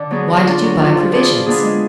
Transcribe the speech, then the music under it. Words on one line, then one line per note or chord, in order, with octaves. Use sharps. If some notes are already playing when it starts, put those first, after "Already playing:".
"Why did you buy provisions?"
Already playing: D3
F#3 B3 D4 G#4
F#3
D4 F4
F#3
D4 F4
F3
B3 D4 F4 G#4
F3
B3 D4 F4 G#4
G#3